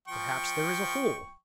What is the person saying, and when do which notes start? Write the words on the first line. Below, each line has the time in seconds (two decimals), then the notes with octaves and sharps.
Perhaps there is a hole.
0.08 F3 G5 C#6